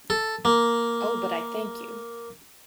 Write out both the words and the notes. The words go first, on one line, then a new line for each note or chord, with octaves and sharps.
Oh, but I thank you!
A4
A#3